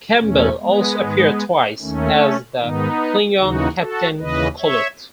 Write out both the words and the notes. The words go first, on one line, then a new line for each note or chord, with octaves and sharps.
Campbell also appeared twice as the Klingon Captain Koloth.
E2 B2 A3 C#4
G#3 B3
G#2 D#3
D#2 D#3 A3 C#4
G#2 D#3 B3 D#4
D#2 C#3 E3 D#4 F#4
F#4 A4
D#2 C#3 E3 B4 D#5
C#5 E5